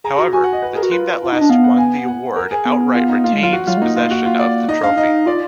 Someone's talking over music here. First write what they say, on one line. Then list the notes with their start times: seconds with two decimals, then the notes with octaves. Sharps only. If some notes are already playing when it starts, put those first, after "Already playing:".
However, the team that last won the award outright retains possession of the trophy.
0.04 G#4 A#5
0.19 F#4 A#5
0.33 F#4 G#5
0.44 F#5
0.53 D#5
0.62 B4
0.75 G#4 A#4
0.83 F#4
0.91 F4 B4
1.24 F4
1.32 D#4 D#5
1.41 D4
1.49 B3 F5
1.64 F#5
1.78 G#5
2.08 F#5
2.36 A#4
2.51 G#4
2.65 B3
2.95 F4
3.09 D#4
3.24 A#3 F4
3.33 G#3
3.42 F#3 F4
3.53 F#4
3.67 F#3 F4
3.77 G#3
3.81 A#3 D#4
3.96 F4
4.11 F#4
4.25 F4
4.39 D5
4.68 D#4 D#5
4.83 D4 F5
4.96 D#4 D#5
5.26 F4 D5